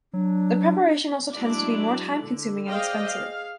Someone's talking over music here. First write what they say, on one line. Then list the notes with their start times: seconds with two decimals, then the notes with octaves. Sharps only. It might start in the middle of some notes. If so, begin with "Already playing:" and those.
The preparation also tends to be more time consuming and expensive.
0.13 F#3 D4
1.33 F#3 G#3 D4 E4 D5
2.21 D3
2.69 G#4 C5 D5 D#5 F5 G5
3.04 G#4 F5